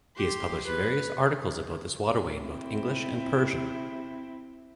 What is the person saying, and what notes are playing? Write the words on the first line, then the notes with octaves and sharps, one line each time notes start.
He has published various articles about this waterway in both English and Persian.
G4 C6
B4
C4 E4